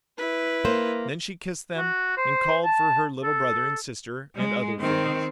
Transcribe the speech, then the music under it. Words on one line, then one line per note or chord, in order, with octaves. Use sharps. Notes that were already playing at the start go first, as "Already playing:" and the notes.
Then she kissed them and called for her little brother and sister and other friends.
E4 B4
A#3 C5
F#4
C5
A5
A4
G#3
D#3 C4